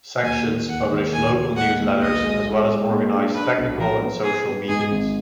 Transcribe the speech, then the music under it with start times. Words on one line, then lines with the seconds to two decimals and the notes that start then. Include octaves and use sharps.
Sections publish local news letters as well as organize technical and social meetings.
0.23 D#2 G#5
0.46 D#3
0.68 D#2 F#5
0.91 D#3
1.12 D#2 G#5
1.35 D#2
1.57 G#3 F#5
1.79 D#2
2.01 B1 D#5
2.24 G#3
2.47 G#3
2.69 G#3
2.90 A#2
3.13 D4
3.34 D4 B4
3.58 B1
3.79 F3 A#4
4.02 B3
4.23 B3 G#4
4.47 B3
4.68 G#2 G#4
4.91 G#1